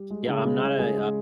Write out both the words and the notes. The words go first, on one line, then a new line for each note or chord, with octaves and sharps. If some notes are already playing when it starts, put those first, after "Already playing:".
Yeah, I'm not a
Already playing: G3
G#3
C#3
G#3
G#3
G#3 G#4
G#3